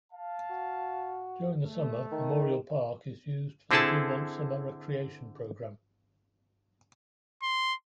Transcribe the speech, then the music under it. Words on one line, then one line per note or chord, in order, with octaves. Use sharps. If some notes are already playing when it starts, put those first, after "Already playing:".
During the summer Memorial Park is used for the Dumont Summer Recreation Program.
F5 A5
F#4
A3
D#3
D3 C4 E4 G#4 A4 A5
C6